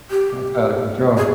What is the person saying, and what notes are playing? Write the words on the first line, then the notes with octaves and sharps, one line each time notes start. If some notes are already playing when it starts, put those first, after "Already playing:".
That's out of control.
G4
G#4